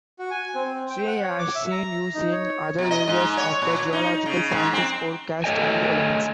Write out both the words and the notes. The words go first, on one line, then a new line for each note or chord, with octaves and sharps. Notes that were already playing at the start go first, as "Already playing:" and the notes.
Cl has seen use in other areas of the geological sciences, forecasts, and elements.
F#4
G#5
C4
G5
F#5
C#5
D6
E5
A#5
D#4
C#5
B2
D#5
G#2
C#5
A#2
D#4
C#3
G#2
C4
A3 A4 C#5 D#5 G5 G#5